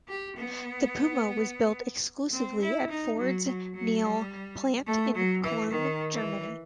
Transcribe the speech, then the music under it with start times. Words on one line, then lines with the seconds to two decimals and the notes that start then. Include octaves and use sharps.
The Puma was built exclusively at Ford's Niehl plant in Cologne, Germany.
0.08 G4
0.36 B3
2.33 C4
2.61 E4
2.89 D#4
3.18 F#3
3.46 F#3
3.74 F#3
4.02 G3
4.86 A3
5.15 F#3
5.43 E3
5.70 D#3
6.14 E3